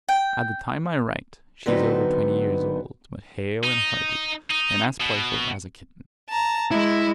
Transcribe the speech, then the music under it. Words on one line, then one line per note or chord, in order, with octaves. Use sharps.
At the time I write, she is over twenty years old; but hale and hearty, and as playful as a kitten.
G5
D3 F#3 B3 C4 D#4 B4
D#4
D#4
B2
A5 A#5
G#3 E4